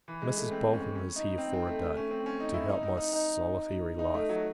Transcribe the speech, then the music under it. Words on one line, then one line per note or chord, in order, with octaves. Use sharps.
Mrs. Bolton is here for a day, to help my solitary life.
E3
G#3
A3
C4
C#4
C#4
D#4
C4
C4
A3
A3
C#4
C4
C#4
D#4
E4
D#4
D#4
D#4
D#4
D#4
A3
F#3